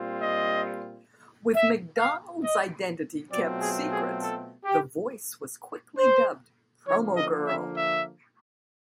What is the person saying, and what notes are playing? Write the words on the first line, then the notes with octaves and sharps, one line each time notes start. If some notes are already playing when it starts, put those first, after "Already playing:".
With MacDonald's identity kept secret, the voice was quickly dubbed Promo Girl.
Already playing: A#2 G3 C4 F4
D#5
E5
F5
D#5
B2 F#3 A3 C4 F4 D5
G#4
G#4
A4
G4
C5
D3 F3 A#3 C#5
D#5
E5
E5